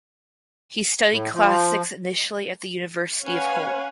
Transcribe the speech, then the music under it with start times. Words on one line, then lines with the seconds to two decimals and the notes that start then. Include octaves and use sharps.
He studied Classics initially at the University of Hull.
1.12 A2
1.34 F3
3.24 C#4 B4 C#5 F5 F#5 G#5